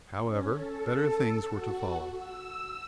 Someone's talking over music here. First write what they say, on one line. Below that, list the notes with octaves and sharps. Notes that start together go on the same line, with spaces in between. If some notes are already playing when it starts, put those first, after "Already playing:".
However, better things were to follow.
C#4
A4
F#4
E6